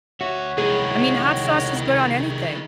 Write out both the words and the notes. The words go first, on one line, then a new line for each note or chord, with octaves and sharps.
I mean, hot sauce is good on anything.
D2 F#4 C#5 E5 F#5
C2 D#3 G#3 E4 G#4